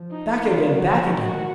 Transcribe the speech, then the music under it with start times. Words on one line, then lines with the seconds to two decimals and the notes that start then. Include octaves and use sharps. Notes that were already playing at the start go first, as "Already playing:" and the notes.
'Back again! back again!
Already playing: F3
0.11 D#4
0.44 F#3 F4
0.76 F3 F#4
1.08 D#3 F#4